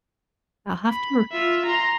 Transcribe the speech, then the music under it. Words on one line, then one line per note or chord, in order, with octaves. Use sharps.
I'll have to r
B5
F4 E5
A#5 C6